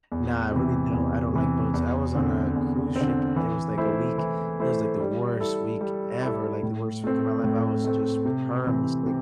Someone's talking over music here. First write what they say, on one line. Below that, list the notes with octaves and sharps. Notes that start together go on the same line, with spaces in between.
Nah, I really don't I don't like boats. I was on a cruise ship and it was, like, a week, it was, like, the worst week ever, like, the worst week of my life, I was just perm it's like,
E2
C3 E3
E2
C3 E3
E2
D3 C4
E2
C4
D3
E3
A3 E4 C5
E3
A3 E4 C5
G3
E4 A4
G3
E4 A4
A2
A3 C4
A2
A3 C4
C3
E3 C4
C3